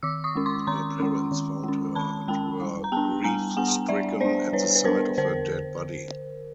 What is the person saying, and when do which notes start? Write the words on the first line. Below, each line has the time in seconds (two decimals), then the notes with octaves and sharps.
Her parents found her and were grief-stricken at the sight of her dead body.
0.03 D#3 D6 E6
0.24 C#6 D#6
0.35 G#3 C#4
0.46 C6 D6
0.67 D#3 A#5 C6
1.00 G#3 C#4
1.32 D#3
1.64 G#3 C#4
1.95 D#3 A5 B5
2.28 G#3 C#4 G5 A5
2.61 G3
2.84 A#5
2.92 B3 D4 G5 A5
3.24 G3 G#5 A#5
3.57 B3 D4 F#5 G#5
3.88 G3 D5 E5
4.21 B3 D4 C5 D5
4.53 G3 B4 C#5
4.75 B4
4.85 B3 D4 A#4 C5
5.18 D3 A#4 C5